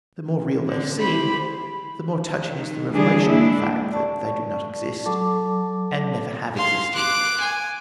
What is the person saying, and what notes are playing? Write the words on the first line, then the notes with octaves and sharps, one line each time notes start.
The more real they seem, the more touching is the revelation of the fact that they do not exist, and never have existed.
D3 C4
E4 G4 C5 B5
D#3
D2 E3 G3 D4 G#4
G#3 A#3 D4 E4
D5 A5 C#6
F#3 A4 A5 D6
F5 C6
D6 F#6
G#5